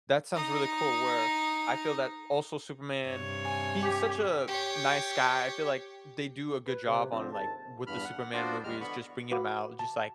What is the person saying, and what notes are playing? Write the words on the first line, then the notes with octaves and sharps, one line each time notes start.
that sounds really cool where I feel that also Superman, he's such a nice guy. I feel like they do a good job on, like with the Superman movies, just bringing him out. Just like,
D#4 D#5
G2 C3 C#5
G#5
G4
G4 C#5
B4
C3
D3 F3 C4 F4
D#2 G#2 A5
E2 G2 B5 F6
F#5
B3 D4 F4 F#4 C5 D5
E2 G3 G#3 F6
D3 B3 B5 C#6
F#4 B4 F5 F#5 B5 D6
A5